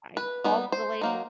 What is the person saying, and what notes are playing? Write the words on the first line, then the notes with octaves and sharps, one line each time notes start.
I called the lady
B4
G3 B3 D#4
C5
F#3 A#3 D#4